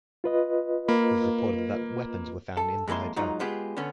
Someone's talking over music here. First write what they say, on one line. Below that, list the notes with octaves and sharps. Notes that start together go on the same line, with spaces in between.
It was reported that weapons were found in the hotel.
F4 B4 D#5
A#3 B5
A4
F2 G#3 A#3 E4 C6
G#2 F#3 D#4 F4
G#3 B3 F4 G4 G#4
D3 B3 C#4